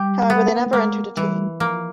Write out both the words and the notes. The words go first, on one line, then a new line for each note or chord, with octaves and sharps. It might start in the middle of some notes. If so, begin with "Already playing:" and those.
However, they never entered a team.
Already playing: G3 G4
B3
A#3
A3
G#3 A#3
E3 G3
F3 A#3